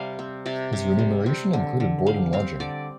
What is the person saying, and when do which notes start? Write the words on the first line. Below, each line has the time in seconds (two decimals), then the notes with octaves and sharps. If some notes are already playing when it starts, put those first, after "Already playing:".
His remuneration included board and lodging.
Already playing: C3 G3 F5
0.19 C4
0.46 C3 D5
0.73 C3
0.99 G3
1.26 C4
1.53 D3
1.80 D3
2.06 G3 F5
2.33 C4 F5
2.60 D3 D5